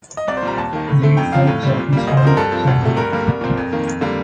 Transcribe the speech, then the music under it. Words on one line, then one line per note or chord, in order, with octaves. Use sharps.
Read five chapters on Sunday.
D#5
C2 D5
C5
A#2 G3 A#5
D#2 A5
D#3 A#3
A2
A3 C4
F2 G5
C3 F3 F5
A2
G3 C4
A#2
G3 A#3
D2 D#5
C5
C3 F3 A#4
G2 A4
F3 C4
D2
C3 F3 A3
G2 A#4
D3 G3 A#3
C2
A#2 F3 C4
F2
D#3 A#3
F2
D3 G3 A#3